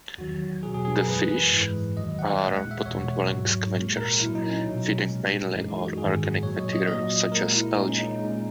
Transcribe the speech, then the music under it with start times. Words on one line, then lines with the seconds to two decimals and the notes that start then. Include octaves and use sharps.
The fish are bottom-dwelling scavengers, feeding mainly on organic material such as algae.
0.18 E2 D#3 F#3 F#4
0.63 F#3 G#4
0.66 B2
0.74 G#4
0.85 G#4
0.96 A#4
1.07 F#2 E3 G#3 B4
1.52 G#2 E3 G#3
1.97 E2 D#3 F#3 D#5
2.19 F#5
2.41 A#2 G#3 F#5
2.56 F#5
2.71 E5
2.86 E2 B2 G#3 C#5
3.31 G#2 F#3
3.75 A#2 G#3
3.97 A#4
4.19 A#2 F#3 E4
4.35 D#4
4.49 C#4
4.64 B2 F#3
5.09 A#2 G#3
5.53 F#2 E3 G#3 D#4
5.76 F#4
5.98 G#2 D#3 G#3 G#4
6.43 A#2 F#3 C#5
6.57 D#5
6.73 D#5
6.87 A#2 F#3 D#5
7.32 A#2 G#3 A#4
7.54 E4
7.77 A#2 G#3 D#4
7.88 C#4
7.99 D#4
8.21 A#2 G#3